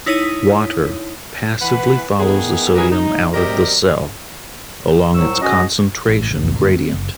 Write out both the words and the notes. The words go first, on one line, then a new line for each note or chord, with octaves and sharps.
Water passively follows the sodium out of the cell along its concentration gradient.
D#4 E4 C#5 D#6 B6 D#7
E3 B4 F#5
E2 D#3 B3 G#4
E3 F#3 G#4 A#4 B4
D#4
C3 F#3 G4 A#4 D5 D#5
C2 A2 F#3 C5 C#6 E6
C#4 F#4 G#4 D#5
A1 A2
F1 A2 C#3
C2 F2 A2
F#2 D3 G3 A#3
C4
F#1